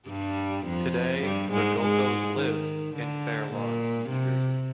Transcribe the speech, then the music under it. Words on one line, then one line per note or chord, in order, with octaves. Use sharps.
Today the Gulkos live in Fair Lawn, New Jersey.
G2 G3
F2 F3
G2 G3
G#2 G#3
G#2 G#3
D#3
D3
A#2
C3